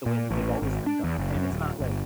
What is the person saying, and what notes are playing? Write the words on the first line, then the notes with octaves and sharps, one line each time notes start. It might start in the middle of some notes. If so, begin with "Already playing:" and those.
the way that they've always been done?" And it's not like,
A#2
A1
G#1
D4
E2
F#1
F#2
D#1
G1